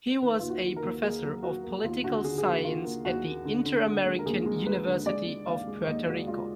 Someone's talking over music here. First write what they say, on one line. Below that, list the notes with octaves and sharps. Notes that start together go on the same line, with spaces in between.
He was a Professor of Political Science at the Interamerican University of Puerto Rico.
D#3 B4
D#2 F4
F#4
D#3
A#4
D#2
A#3 G#4
F#3
A#3 F#4
A#3
D#2 F4
D3 F#4
D3 G#4
G#4
A#3 F#4
A#3 F4
A#3
D#2 F#4
A#3
D3
D3
D3
G#3
A#4
D#2 G#4
G#3
G#3 B4
D3
G#3 D5
G#3
D#2 F5
G#3
D#2 D#5
G#3 F#4
G#3 F4